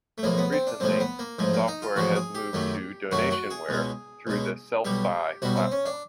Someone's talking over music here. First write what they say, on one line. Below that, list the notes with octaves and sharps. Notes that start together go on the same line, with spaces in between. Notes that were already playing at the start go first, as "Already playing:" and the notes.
Recently, the software has moved to donationware through the Sellfy platform.
A3
B1 A2 F3 G#3 A#3
B3
C4
D4
B1 A2 F3 G#3 C4
B3
A#3
A1 G#2 F3 G#3
A#3
D#4
F4
A1 G#2 F3 G#3 F#4
G#4
G4
F#2 D#3 F#3 A3
F#2 D#3 F#3 A3 F#4
F#4
G#4
C#2 B2 G#3
C#2 B2 G#3
B1 B2 G3 G4
B1 B2 G3 F#4
C4
C#4
D4